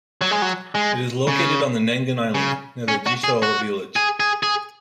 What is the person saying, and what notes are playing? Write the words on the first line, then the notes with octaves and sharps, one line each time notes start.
It is located on the Nangan Island, near the Jieshou Village.
F#3
G#3
F#3
G#3
C#3
C#3
C#4
F#4
G#4
F#4
G#4
G#4
G#4